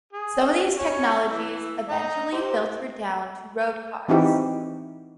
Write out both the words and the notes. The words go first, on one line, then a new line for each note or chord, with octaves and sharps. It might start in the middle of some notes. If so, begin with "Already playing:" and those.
Some of these technologies eventually filter down to road cars.
G#4
C#5 G#5
E3 E5
D#5 A#5
G4 C5
E3 C4 D#4 E4 F#4 G4